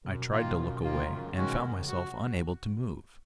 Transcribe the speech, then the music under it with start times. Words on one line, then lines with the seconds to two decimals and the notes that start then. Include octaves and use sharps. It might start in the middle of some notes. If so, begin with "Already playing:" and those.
I tried to look away, and found myself unable to move.
0.04 F#2 B2
0.31 D#3 A#3 F4
0.58 F#2
0.83 D#3 A#3 F4
1.09 F#2 C#3
1.27 C#3
1.36 D#3 G#3 C#4 F#4
1.45 B2
1.62 F#2
1.79 C#3
1.88 F#4